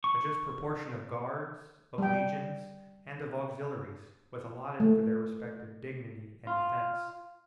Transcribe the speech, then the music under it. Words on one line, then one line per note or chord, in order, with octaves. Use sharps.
A just proportion of guards, of legions, and of auxiliaries, was allotted for their respective dignity and defence.
C#6
G3 G5
A3
F4